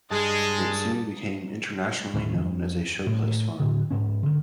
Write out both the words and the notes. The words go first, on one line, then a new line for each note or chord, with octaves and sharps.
It soon became internationally known as a showplace farm.
G2 G#3 G#4 A5
D#2 A2 D#3 A3
F2
A2
A2 D3
G#2 C#4
D3 D#3